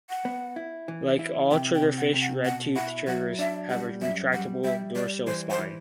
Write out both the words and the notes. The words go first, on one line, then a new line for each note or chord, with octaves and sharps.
Like all triggerfish redtoothed triggers have a retractable dorsal spine.
F#5
B3
E4
E3
E4
C3 G5
G5
C3
F#5
C3
F#5
B2 F#5
E4 F#5
F#3 F#5
D4 E5
G3 F#5
F#2 E5
G3 F#5
G3 E5
G3 D5
E3 C5
C5
E3